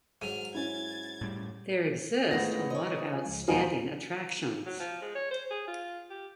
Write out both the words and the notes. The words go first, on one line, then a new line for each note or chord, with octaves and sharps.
There exist a lot of outstanding attractions.
G#2 F#3 F6 D#7
C#4 E4 G#6 A6
A2 G3
A2 G#3 B3 F4 F#5 A#6
C5 C#5 D#5
F4 G#5
C#2 F3 G#3
E1 F3 C5 D#5 F5 F#5 G#5 A#5
F#3
F3
G#3
C#5
C5
G#4
F4
G4